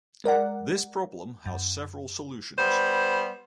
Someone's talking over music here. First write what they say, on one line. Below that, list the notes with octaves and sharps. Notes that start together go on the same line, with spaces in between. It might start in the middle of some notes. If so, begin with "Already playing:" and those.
This problem has several solutions.
G#3 A#4 D5 F#5
F#2
G3 B3 C5